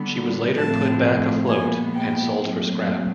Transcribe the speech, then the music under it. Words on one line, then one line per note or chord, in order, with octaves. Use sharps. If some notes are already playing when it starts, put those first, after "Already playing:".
She was later put back afloat, and sold for scrap.
Already playing: D3 G3 B3
A2 F3 A3 C4 A5
A#2 F3 G#3 B3 G#5
G5
A#2 F#3 A3 C4